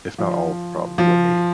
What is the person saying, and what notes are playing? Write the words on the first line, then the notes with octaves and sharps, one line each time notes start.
if not all of the problems, were me.
F3
F3